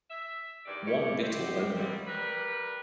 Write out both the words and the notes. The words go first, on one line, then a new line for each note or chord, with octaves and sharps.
One beetle only.
E5
E2 G2 D#3 D5
E3 G3 C#5 D5
C4 E4 G4 C5 D5 D#5
B2 F#3 G3 A#3 C4
G3 A#4 B4